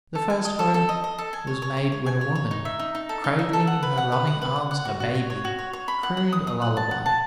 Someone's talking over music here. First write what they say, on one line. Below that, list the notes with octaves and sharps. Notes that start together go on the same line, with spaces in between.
The first home was made when a woman, cradling in her loving arms a baby, crooned a lullaby.
A4
G#5
D#5
A4
A4
D#5
D#5
A4
G#5
C#5
C#5
C#5
C#5
G#5
C#5
C#5
D#4
E5
D#4
D#4
A4
D#4
E5
A4
F#5
B4
F#5
B4
F#5
B4
F#5
F#5
F#4
F#4
C#5
C#5
F#4
C#5
C#5
B5
F#5
F#5
D#6
D#6
F#5
A5
F#5
A5